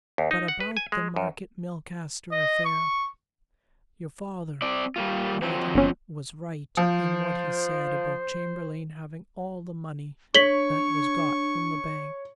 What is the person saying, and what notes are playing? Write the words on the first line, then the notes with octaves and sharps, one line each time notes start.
But about the Market Milcaster affair: Your father, Breton, was right in what he said about Chamberlayne having all the money that was got from the bank.
D#2
D#4
F#5
B4
G#5
G#3
F#2
D#5
C#6
C4 D5
G3 A#3 F4
F3 F#3 C4
G1 B3 C#4
F3 C5
D4 C#5 C#6 B6 F#7 G7